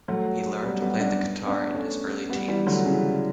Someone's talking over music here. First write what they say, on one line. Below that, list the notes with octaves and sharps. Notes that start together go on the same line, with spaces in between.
He learned to play the guitar in his early teens.
F#3 A3
G3 B3
G3 B3
B3 D4
B3 D4
A3 C#4
G3 B3
E3 G3
D3 F#3
C#3 E3